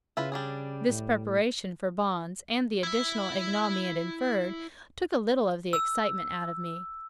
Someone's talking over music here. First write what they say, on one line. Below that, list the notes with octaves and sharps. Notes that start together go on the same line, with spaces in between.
This preparation for bonds, and the additional ignominy it inferred, took a little of the excitement out of me.
C#3 E4 F4 B4
G3 D4 G#4
A2
E4 E5
E6